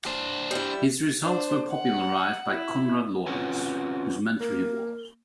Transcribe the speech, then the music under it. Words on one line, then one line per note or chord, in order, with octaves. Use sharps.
His results were popularised by Konrad Lorenz, whose mentor he was.
D4 C5
G3 E4
D4 C5
F#5
E4
C4 C#4 F4 F#4 B4 G#5
A#3 A#4